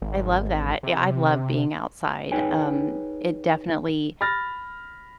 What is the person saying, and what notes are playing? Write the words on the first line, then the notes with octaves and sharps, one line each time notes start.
I love that. Yeah, I love being outside, um, it definitely
G#1
C3
D#4 G#4 B4 C#5 G5 G#5
B5 F6 A6 A#6